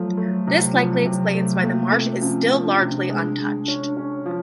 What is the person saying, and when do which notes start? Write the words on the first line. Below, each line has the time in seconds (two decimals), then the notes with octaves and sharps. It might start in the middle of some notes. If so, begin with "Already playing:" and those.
This likely explains why the marsh is still largely untouched.
Already playing: F3 F#3 A3
0.17 A3
0.47 C3
0.76 F3
1.05 C3
1.34 F#3 A3
1.63 A3 A#3
1.92 A3 C4
2.22 F3 C#4
2.51 F3
2.65 D4
2.80 C3
3.10 G#3
3.38 G#3
3.68 C#4
3.97 C#4
4.26 F3